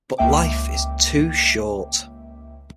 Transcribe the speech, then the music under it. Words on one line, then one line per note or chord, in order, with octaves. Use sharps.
But life is too short.
C#2 A#3 E5 G5 D6